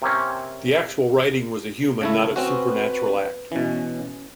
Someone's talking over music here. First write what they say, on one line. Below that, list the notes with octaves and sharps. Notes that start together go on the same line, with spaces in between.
The actual writing was a human not a supernatural act.
C3 A#3 C4 C#4
C#3 A3 E4
C4 C#4 F#4 B4
B2 E3 C#4
C#4